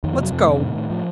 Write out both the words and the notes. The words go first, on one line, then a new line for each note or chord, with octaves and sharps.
"Let's go."
F2 D#3
F3
C3
F#3
F2 F3
A3
C3
D#3
A2
A2
A2 F3